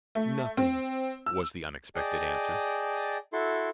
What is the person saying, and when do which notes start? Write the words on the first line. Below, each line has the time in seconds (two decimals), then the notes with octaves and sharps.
"Nothing," was the unexpected answer.
0.15 A3
0.57 C4
1.26 E6
1.95 G#4 D5 D#5 G5 A5
3.33 E4 F#4 A4 C6